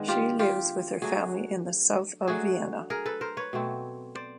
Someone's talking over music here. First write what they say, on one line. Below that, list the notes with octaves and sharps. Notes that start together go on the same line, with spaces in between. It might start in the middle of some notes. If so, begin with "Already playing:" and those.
She lives with her family in the south of Vienna.
Already playing: D#3 G#3 B3 D4
F4 G4
F4 G4
F#3 A3 D4 F#4 G#4
F#3 A3 D4 F#4 G#4
G#4 A#4
A4 B4
A#4 C5
B4 C#5
B2 F#3 A3 C4
C5 D5